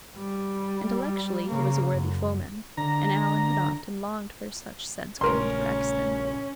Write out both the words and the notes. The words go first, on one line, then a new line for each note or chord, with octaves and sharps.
Intellectually he was a worthy foeman, and Alan had often longed for such since coming to Rexton.
G3
C#3 A#3
F#2
D3 A#5
A#1 C#3 A3 C#4 A#4 C6